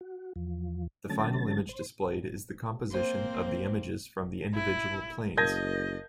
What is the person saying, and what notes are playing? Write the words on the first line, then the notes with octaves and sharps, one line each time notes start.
The final image displayed is the composition of the images from the individual planes.
F#4
E2 F3
D3 F#3 A3 C#4 A5 A6
C5
A#3 C4 C5
E4
F#1 A#4 D#5 F5 A5 G6 G#6 A#6